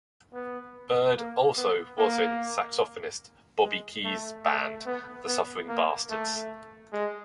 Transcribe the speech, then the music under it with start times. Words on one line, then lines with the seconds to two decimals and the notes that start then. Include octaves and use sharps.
Baird also was in saxophonist Bobby Keys' band The Suffering Bastards.
0.34 B3
1.17 A#3
1.57 B3
1.98 A#3
3.63 G#3
4.05 A3
4.45 A3
4.86 B3
5.27 B3
5.68 A#3
6.10 A3
6.92 G#3